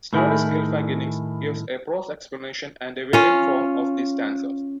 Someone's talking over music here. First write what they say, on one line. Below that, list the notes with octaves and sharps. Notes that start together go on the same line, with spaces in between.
Snorri's "Gylfaginning" gives a prose explanation and a variant form of these stanzas.
A2 D#3 E4 G#4
C#4 F4